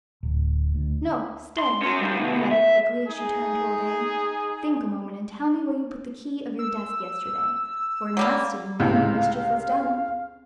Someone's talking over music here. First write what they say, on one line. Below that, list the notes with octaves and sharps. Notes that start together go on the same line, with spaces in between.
No, stay!" he added quickly, as she turned to obey; "think a moment and tell me where you put the key of your desk yesterday, for it must have been then the mischief was done.
D1
D2
C6
C#4 F#4
G3 D#4
D2 B2
E5
D#4 G#4
E6
F#3 G3 A#3
C#2 A2 C3 F5